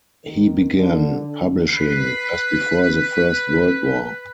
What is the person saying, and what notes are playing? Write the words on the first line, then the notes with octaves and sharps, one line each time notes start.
He began publishing just before the First World War.
D#3
D3
B4 C7